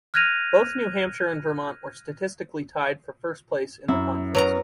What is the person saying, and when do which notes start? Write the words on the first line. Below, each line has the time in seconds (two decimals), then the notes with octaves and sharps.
Both New Hampshire and Vermont were statistically tied for first place in the conference.
0.14 F6 F#6 G#6 A#6 D#7 F7
3.88 F#2 E4
4.35 F#3 B3 A#4 A#5